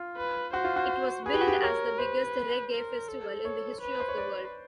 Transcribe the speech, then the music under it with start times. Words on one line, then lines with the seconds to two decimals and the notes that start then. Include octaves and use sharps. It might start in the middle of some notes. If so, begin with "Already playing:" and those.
It was billed as the "biggest Reggae festival in the history of the world".
Already playing: F4
0.17 B4
0.53 F#4 C5
0.64 F4
0.76 F#4
1.26 G#4 B4
1.34 G4
1.41 F#4
1.47 G4
1.62 A#4 C#5
1.98 B4 C5
2.72 A#4
3.08 A4
3.45 C#5
3.81 B4
4.00 C5
4.08 C#5
4.18 D5